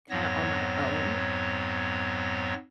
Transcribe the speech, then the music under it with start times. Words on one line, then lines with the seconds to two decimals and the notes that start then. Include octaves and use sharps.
kinda on my own,
0.10 F2 G#2 F#3 B3 C#5 A#6